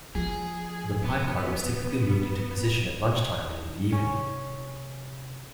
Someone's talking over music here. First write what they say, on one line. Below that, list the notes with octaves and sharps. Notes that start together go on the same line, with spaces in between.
The pie-cart was typically moved into position at lunch time and in the evening.
F3 G#4
B3
C3 C#4